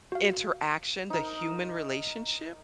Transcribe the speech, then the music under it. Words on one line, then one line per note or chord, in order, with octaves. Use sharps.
interaction, the human relationship?"
F#4 F5
D#4 A#4